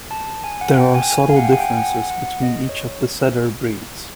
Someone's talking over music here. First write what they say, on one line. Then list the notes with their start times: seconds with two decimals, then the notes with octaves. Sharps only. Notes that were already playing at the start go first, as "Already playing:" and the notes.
There are subtle differences between each of the setter breeds.
0.11 A5
0.44 G#5
0.61 F#5
0.77 G5
0.94 G#5
1.10 G#5
1.29 F5
1.36 F#5
1.44 G5
1.53 G#5
1.60 G5
1.69 G#5
1.77 F#5
2.10 F#5
2.43 D#5
2.69 C#5